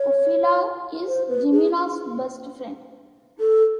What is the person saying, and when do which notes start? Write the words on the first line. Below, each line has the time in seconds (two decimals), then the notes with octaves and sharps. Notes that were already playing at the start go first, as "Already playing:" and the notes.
Ofelia is Jimena's best friend.
Already playing: C#5
1.07 C5
1.29 B4
1.52 G#4
3.40 A4